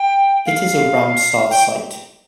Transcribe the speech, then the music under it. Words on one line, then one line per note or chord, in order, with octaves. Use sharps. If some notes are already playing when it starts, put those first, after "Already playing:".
It is a Ramsar site.
Already playing: G5
F5
G5